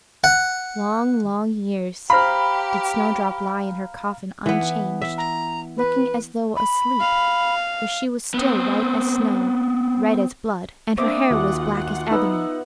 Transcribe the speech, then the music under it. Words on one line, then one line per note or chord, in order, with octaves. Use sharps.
Long, long years, did Snowdrop lie in her coffin unchanged, looking as though asleep, for she was still white as snow, red as blood, and her hair was black as ebony.
F#5
G4 C5 F5 A#5 B5 F6
E3 B3
E5
A#5
B4
B5
F5
B3 C4
A#3 C4 D4 C5 E5 D6 D#6
D#2 F4 F#4 F#5
B3 D#4 E6